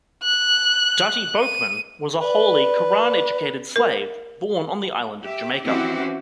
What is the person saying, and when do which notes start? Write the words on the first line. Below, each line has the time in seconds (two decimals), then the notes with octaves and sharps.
Dutty Boukman was a Holy Koran-educated slave born on the island of Jamaica.
0.24 F#6
1.38 D#7
2.21 B4 D5
3.76 A#4
5.23 G4 E5
5.63 E3 C4 C#4 E4 F#4 G4